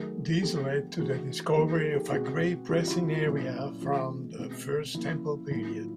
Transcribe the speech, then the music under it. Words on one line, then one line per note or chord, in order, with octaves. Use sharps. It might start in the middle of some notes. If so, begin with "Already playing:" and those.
This led to the discovery of a grape-pressing area from the First Temple period.
Already playing: D#3 F#3 A3 G#4 A#4
D3 F3 G#3 B3 G4 A4
E3 A3 D4 F#4 G#4
A#4
F3 A#3 D#4 G4 A4
G#4 A#4
G4 A4
B2 G#3 C4 F#4 G#4
C#3 E3 G3 C4 F4 G4
E4 F#4
F4
A#2 F#3 A#3 C#4 E4
C#3 E3 G#3 F4
B2 G#3 C4
F3 A#3 C#4 E4
A2 F#3 A#3 D#4 E4
F4